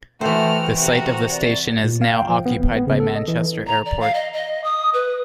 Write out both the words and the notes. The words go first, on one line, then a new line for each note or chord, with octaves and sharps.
The site of the station is now occupied by Manchester Airport.
E3 A3 F#4 C5 G5 F6
C3 F#4 A#4
D5
A#2
F5
G5
F3
B3
G#1
B3
C#3
A4
D#5
E3
A#5
D5
F5
D#5
D#5
D#6
B4